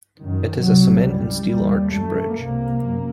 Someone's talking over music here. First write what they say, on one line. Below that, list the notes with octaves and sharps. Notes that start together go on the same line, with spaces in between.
It is a cement and steel arch bridge.
F#2 D#3
C2 C3 F#3
F#2 G3
D#2
F#2 A3
C2 C3 A#3
F#2